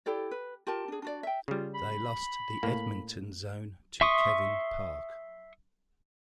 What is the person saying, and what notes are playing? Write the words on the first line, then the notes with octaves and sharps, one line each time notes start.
They lost the Edmonton Zone to Kevin Park.
E4 G4 A4 D5
B4
F4 G4 A#4 A5
D4 G#4
D4 F#4 D5
E5 G5
C#3 G3 F4
B5
A2 A#3
E5 C6 C#6 D#6